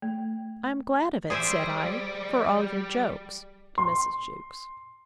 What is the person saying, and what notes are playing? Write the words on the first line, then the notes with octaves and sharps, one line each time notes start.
I am glad of it, said I, for all your jokes, to Mrs. Jewkes.
A3
G3 G#4 C5 D5 E5
C6